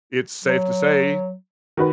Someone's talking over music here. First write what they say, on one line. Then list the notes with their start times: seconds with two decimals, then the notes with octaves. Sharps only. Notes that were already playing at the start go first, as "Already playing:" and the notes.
it's safe to say,
0.45 F#3
1.77 D#3 F#4 B4